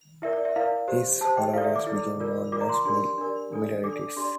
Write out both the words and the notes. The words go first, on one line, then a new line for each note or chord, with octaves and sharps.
His followers became known as Millerites.
E4 A#4 D5 E5
D5
E5
E4 A#4 D5 F5
G4 C5
G4 C5 A5
G5
E4 A4 D5 F5
E5
D6
E4 A4 D5
F4 A#4 D5
F4 A#4 D5 D6
A#5
C6
D4 G4 A#4 D5 C6
D4 G4 A#4 D5
D4 A4 D5
D4 A4 D5 D6
D4 G4 D5 C6